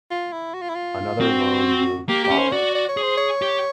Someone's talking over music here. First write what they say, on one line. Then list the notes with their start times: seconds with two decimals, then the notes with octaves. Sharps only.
Another loan move followed.
0.11 F4
0.33 E4
0.54 F#4
0.62 F4
0.69 E4
0.75 F4
1.21 C4 F#4
2.09 A#3 G4
2.24 G4
2.30 C#4
2.38 C5
2.52 F#4 D5
2.75 D5
2.89 C#5
2.97 G#4
3.03 C5
3.17 C#5
3.42 G4